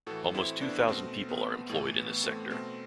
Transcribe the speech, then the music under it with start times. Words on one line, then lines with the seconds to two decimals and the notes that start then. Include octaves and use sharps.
Almost two thousand people are employed in this sector.
0.07 A2 E3 F#4 A4
0.34 C4 E4
0.61 B3 D4
0.88 B2 A3 C4
1.29 B3
1.69 A2 E3 A3
1.96 B3
2.24 A3 C4
2.50 B2 A3 C4